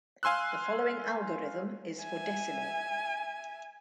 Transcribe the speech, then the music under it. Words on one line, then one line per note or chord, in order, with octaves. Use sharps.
The following algorithm is for decimal.
F5 G#5 C6 E6 F#6
E5 G#5